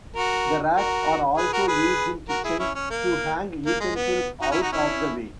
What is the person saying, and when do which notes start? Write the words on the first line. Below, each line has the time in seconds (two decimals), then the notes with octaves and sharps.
The racks are also used in kitchens, to hang utensils out of the way.
0.15 F#4 A#4
0.77 F#4 A#4
1.38 G#4 B4
1.53 F#4 A#4
1.67 G#4 B4
2.29 F#4 A#4
2.44 E4 G#4
2.59 C#4 E4
2.75 C#4
2.90 A#3
3.66 A#3
3.80 G#3
3.96 B3
4.42 D#4 F#4
4.51 C#4 E4
4.61 D#4 F#4
4.72 C#4 E4